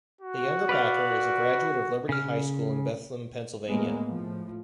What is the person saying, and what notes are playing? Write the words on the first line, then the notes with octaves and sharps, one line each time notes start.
The younger Packer is a graduate of Liberty High School in Bethlehem, Pennsylvania.
F#4
B4 D5 F5
C#3 F6
A2 G#3 A#3 B3
A2 F3